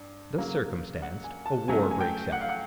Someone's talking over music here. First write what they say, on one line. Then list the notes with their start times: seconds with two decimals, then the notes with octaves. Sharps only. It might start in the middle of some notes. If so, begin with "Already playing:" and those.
Thus circumstanced, a war breaks out.
Already playing: G2
0.38 C#3 F#3 A#3
1.02 F#5
1.24 G#5
1.46 A5
1.68 C#3 F#3 A3 C#4 G#5
1.91 G#5
2.01 G5
2.32 F#5
2.41 F5
2.49 F#5